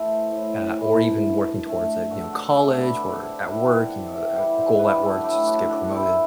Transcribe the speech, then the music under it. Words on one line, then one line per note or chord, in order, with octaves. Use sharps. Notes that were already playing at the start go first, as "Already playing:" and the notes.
ah, or even working towards it, you know, college or at work, you know, eh, a goal at work just to get promoted.
Already playing: A2 E3 A3 A4 C5 E5
A2
E3 A3
D3
A3
D3 F#4 A4
F#4 A4
A3 D5 F#5
B4 D5
D5
C3 A4 C5
D5 F#5
E3 G3 B3 E5 G5
C5 E5
C3 D5 F#5
E5 G5
E3 G3 B3 D5 F#5
C5 E5
C5
D3 G4 B4
F#4 A4
F#3 A3 E4 G4
D4 F#4
D3 D4
C4 E4